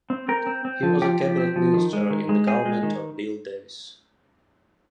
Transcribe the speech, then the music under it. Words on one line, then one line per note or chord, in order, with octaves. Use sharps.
He was a cabinet minister in the government of Bill Davis.
C4
C4 A#4
C4
C4
F3
F3 G4
F3
C4
F3
D#3
G#3
D#3
G#3
C4 G#4
G#3
D#3